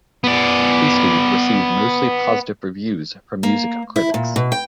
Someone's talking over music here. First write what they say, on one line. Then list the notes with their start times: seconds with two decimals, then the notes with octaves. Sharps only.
"Tasty" received mostly positive reviews from music critics.
0.24 B3 D5
3.43 A#3
3.96 E4
4.14 A#2
4.36 B2
4.52 G5